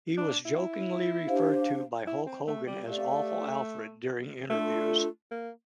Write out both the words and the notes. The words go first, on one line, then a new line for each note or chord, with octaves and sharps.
He was jokingly referred to by Hulk Hogan as "Awful Alfred" during interviews.
D4
E4
D4 G4 C5 F5
E4
C4
A3
G3
A3 G4 D5 F5
A3 D4 F4 A4
A#3